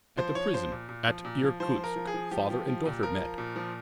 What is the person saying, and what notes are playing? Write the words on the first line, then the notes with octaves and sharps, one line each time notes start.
At the prison at Irkutsk father and daughter met.
F3 C5
F3 C#5
F3 C5
A#2
A#2
F3
A#2
F3
F3 C5
F3
A#4
F3
G#4
F3
F3 G4
F3
F3
A#2
F3 A#4
F3
A#2
F3